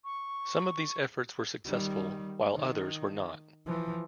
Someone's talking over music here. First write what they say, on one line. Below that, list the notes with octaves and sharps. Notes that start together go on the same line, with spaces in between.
Some of these efforts were successful, while others were not.
C#6
D#3 G3
D#3
E3 F3